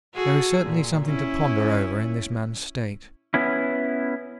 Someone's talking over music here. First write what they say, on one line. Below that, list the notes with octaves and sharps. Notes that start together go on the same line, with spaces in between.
There is certainly something to ponder over in this man's state.
F#4 G#4 A4
A#2
C#4 E4
B3 C#4 E4